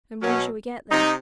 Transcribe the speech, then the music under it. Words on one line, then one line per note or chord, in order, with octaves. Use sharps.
"And when shall we get there?"
B2 F#3 C#4
C3 D#4